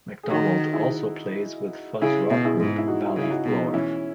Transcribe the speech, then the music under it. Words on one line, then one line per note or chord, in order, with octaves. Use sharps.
MacDonald also plays with fuzz rock group 'Valley Floor'.
G#4
D#3 D#4 F#4
E4 G#4
C#3 E4 G#4
B2
E4 G#4
G#2
E4
D#4 F#4
C#3
E4
D#4 F#4
B2
D#4
E3 C#4 E4